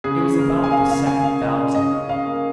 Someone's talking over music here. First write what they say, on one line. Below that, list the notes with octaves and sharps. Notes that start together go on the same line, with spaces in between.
It was about the second thousand.
C#3 G#4
C#4
A#3 A#4
A#3
G#5
C#3 F5
C#3 F5
C#3 G#5
C#3 F5
C#3 D#5
C#4
C#4 D#5
C#4
C#4 F5
A#3